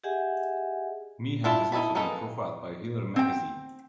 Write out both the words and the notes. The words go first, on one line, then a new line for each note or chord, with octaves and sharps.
Meehan has also been profiled by "Hilary" magazine.
G4 G#4 D#5 E5 F#5 G#5
D4 E4 F4 E5 A5
D#4 E4 G#4 A5 B5
G#3 A#3 D#4 A4 B4
C4 G5